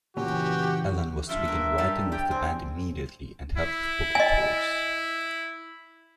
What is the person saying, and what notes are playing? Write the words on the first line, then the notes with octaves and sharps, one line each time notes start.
Allen was to begin writing with the band immediately and help with booking tours.
C#2 A#2 E3 C#4 F#4 G4
G2 E4 F4 E5
A#3 B4
G2 G3 A5
G3 G5
C4 G#4
E4
D#5 G#5